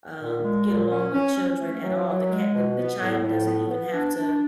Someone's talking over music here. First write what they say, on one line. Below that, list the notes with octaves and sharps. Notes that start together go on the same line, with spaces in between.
um, get along with children at all. The cat the the child doesn't even have to
A#2
G#3
A#2
C#4
C#4
C#4
A3
F#3
F#3
G#3
B2
B3
A2
A2
B3
B3
D4
D4